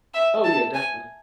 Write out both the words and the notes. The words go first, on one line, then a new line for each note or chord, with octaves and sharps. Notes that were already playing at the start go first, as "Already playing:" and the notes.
Oh yeah, definitely.
E5
A5
G#5